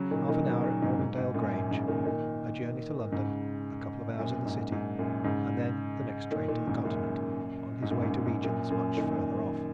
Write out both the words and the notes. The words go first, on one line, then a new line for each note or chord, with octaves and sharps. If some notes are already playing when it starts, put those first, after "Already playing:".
Half an hour at Normandale Grange--a journey to London--a couple of hours in the City--and then the next train to the Continent, on his way to regions much further off.
Already playing: C#3 F#3
A#2 D#3
A#2 D#3
C#3 F#3
A#2 D#3
G#2 C#3
G#2
G#2
F#2 A#2
F#2 A#2
G#2 C#3
A#2 D#3
A#2 D#3
G#2 C#3
F#2 A#2
G#2
G#2
F#2 A#2
G#2 C#3
A#2 D#3
A#2 D#3
G#2 C#3
F#2 A#2
G#2
F#2 A#2
G#2
F#2
G#2
F#2 A#2
F#2 A#2
A#2 D#3